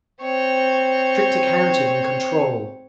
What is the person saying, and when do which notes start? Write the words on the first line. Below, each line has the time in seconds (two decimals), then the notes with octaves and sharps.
Strict accounting and control!
0.22 C4 C#5